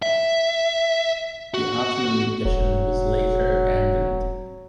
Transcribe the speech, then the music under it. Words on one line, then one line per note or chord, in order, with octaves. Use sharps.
The afternoon edition was later abandoned.
E5
F#4
E1 F#3